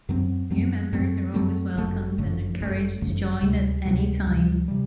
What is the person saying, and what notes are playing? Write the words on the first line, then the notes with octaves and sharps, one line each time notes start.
New members are always welcomed and encouraged to join at any time.
F#2 F#3 A3 C4
F#2 F#3 A3 C4
F#2 F#3 A3 C4
F#2 F#3 A3 C4
G1 F#2 D3 A3
G1 F#2 D3 A3
G1 F#2 D3 A3
G1 F#2 D3 A3
D2 C3 G3
D2 C3 G3
D2 C3 G3
C3 G3